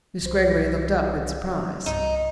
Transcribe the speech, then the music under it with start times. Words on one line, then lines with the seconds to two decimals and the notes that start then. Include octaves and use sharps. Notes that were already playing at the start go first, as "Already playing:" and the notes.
Miss Greggory looked up in surprise.
0.22 C2 C5
1.86 C2 G2 D#4